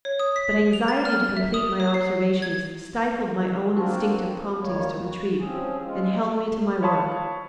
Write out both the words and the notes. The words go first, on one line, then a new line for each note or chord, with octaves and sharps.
But anxiety to complete my observations stifled my own instinctive promptings to retreat, and held me to my work.
C#5
D#6
B6
F7
A6
F6
E5
D#6
C#5
C7
G#6
A#3 C4 D4 F4 F#4
B3
D2 D#3 G3 A#3 C#5
F#4
F3 C4 C#4 G#4
G#3 F4
C#5 F5 A5 B5 C#6 D#6